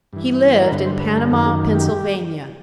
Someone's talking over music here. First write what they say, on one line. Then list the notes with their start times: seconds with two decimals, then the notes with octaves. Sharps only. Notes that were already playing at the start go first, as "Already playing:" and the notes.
He lived in Panama, Pennsylvania.
0.13 G2 E3
0.61 A#4
0.71 G2 D3 B4
0.86 C5
1.00 B4
1.16 A#4
1.31 F#2 D#3 A4
1.45 G#4
1.75 G4